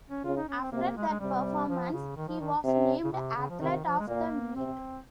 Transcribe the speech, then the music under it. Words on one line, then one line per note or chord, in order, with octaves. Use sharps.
After that performance, he was named Athlete of the Meet.
C#4
C#3 F4
D#4
C#4
C4
C3 A#3
A#3
G#3
G#3
C3 G3
F3
C#3
D#3
F3
D#3
C3
C#3
C3
C#3
F3
C3 D#3
D#3
F3
G#3
A#2 A#3
C3 C4